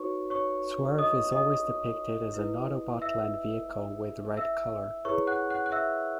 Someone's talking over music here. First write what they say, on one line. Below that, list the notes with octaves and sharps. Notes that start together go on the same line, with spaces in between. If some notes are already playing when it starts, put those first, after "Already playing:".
Swerve is always depicted as an Autobot land vehicle with red color.
Already playing: D#4 F#4 B4 C#5 C#6
C#5 C#6
D#5 D#6
D#5 D#6
E4 B4
E5 E6
E5 E6
E4 G#4 B4 C#5 C#6
F#5 F#6
F#5 F#6
F#6
E5 E6